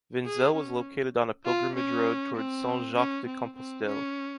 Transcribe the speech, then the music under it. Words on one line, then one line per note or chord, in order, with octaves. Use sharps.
Vinzelle was located on a pilgrimage road towards Saint-Jacques-de-Compostelle.
G#4
C#4
F4
C#4
C4
C#4
C4
C4
C#4